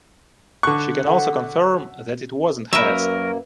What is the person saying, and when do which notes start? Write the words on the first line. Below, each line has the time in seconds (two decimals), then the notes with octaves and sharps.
She can also confirm that it wasn't Hess.
0.63 G2 D3 E3 C#6 F#6
1.03 F#2 A3 F#4 A4 F#5
2.73 F#2 F#3 A#3 A#4 B4 E5